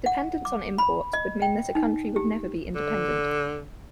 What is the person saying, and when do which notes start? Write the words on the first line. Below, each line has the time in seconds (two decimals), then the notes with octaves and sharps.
Dependence on imports would mean that a country would never be independent.
0.06 F#5
0.45 D6
0.78 B5
1.13 D#5
1.42 G5
1.75 D#4
2.16 G4
2.75 D3